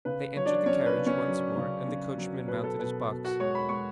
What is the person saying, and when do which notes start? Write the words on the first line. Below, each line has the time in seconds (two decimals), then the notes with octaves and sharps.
They entered the carriage once more, and the coachman mounted his box.
0.05 C#3 B4
0.36 F#3 C#5
0.46 D4 D5
0.66 F#3 C#4 C#5
0.86 B4
0.97 C#3
1.06 C#4 C#5
1.28 F#3
1.57 C#3
1.88 C#3
2.18 F#3
2.48 B2 B4
2.64 A4
2.79 B2 B4
3.09 B2
3.24 F#4 F#5
3.40 G#3 C#5 C#6
3.55 B5
3.69 G#3 C#6